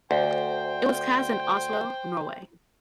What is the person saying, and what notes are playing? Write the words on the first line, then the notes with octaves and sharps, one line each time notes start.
It was cast in Oslo, Norway.
D2 C5 G5